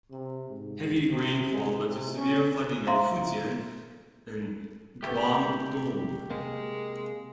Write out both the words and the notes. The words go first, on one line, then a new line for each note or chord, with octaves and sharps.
Heavy rainfall led to severe flooding in Fujian and Guangdong.
C3
G#2
C3
G#3
C3
C#4
C5 E5 F5 A#5 C6
A3 B3 G4
C3 G#3 A#3